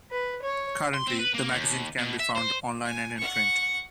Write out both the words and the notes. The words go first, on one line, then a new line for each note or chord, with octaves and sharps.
Currently, the magazine can be found online and in print.
B4
C#5
C6
C4
B4
A#3
D#2
B2
E5
C5
G#5
F#5 C#6